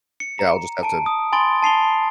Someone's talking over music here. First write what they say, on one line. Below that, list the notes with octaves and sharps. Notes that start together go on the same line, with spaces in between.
Yeah, I'll just have to
C#7
A#5
A5 D7
D#6
G#5 B5 C6 A6 D7 G7
A5 C7 F7 G7